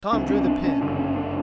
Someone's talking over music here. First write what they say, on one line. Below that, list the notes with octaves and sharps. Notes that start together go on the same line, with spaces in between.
Tom drew the pin.
C2 C3 D4
C#4
D4
C#4
G1 F#2 C#3 D4
C#4
D4